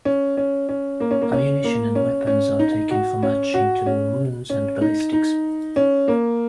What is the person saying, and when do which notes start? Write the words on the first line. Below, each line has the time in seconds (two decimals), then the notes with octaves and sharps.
Ammunition and weapons are taken for matching to wounds and ballistics.
0.05 C#4
0.37 C#4
0.69 C#4
1.00 A#3
1.11 C#4
1.22 A#3
1.32 C#4
1.64 A#3
1.95 C#4
2.27 C#4
2.59 D#4
2.91 F#4
3.23 C#4
3.54 F#4
3.86 C#4
4.50 C#4
4.81 D#4
5.13 D#4
5.76 C#4
6.08 A#3